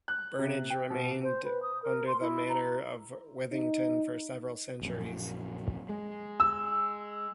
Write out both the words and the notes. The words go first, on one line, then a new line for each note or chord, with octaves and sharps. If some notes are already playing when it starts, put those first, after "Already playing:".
Burnage remained under the manor of Withington for several centuries.
F#6
C3
G5
B2
C5
B4
D#6
A#4
C6
E4
A#5
D#4
A#1 F#2
G#3
E6